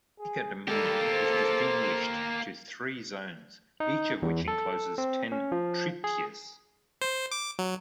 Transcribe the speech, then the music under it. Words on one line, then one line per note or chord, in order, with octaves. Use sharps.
The Attica dominion is distinguished to three zones, each of which encloses ten "trittyes".
G#4
G3 A#3 G4 A4
C5
D#4
E2
A4
C4
C#4
F3
G#4
C5
D6
F#3